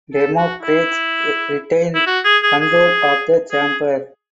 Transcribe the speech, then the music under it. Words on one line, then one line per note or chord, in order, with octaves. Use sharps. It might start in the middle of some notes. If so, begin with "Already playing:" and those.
Democrats retained control of the chamber.
A4
F#4
E4
E4
F#4
G#4
G#4
G#4
G#4